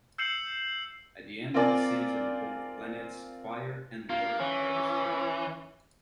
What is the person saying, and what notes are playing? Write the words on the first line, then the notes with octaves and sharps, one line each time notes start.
At the end of the season both planets, Fire and Water, are destroyed.
E6 G6 C7 C#7 E7 F#7
C4 F4 A#4 D5 G#5
A#3 F4
E3 C#4